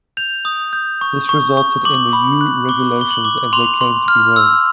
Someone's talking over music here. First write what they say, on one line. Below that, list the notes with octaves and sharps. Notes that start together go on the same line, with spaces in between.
This resulted in the "U-Regulations" as they came to be known.
G6 F7
D#6
G6
C#6
C#6
C#6
D6 F#7
B5
F#6
D6 G7
B5 G7
F#7
D6
C6 F7
C6
F6
E6